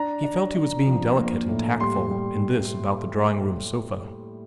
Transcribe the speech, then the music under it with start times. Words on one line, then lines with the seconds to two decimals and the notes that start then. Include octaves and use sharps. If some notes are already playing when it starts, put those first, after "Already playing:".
He felt he was being delicate and tactful in this about the drawing-room sofa.
Already playing: D4 A#5
0.24 D4
0.55 D4
0.87 F3
1.18 A#3
1.49 A2
1.80 G3 C6
2.11 G3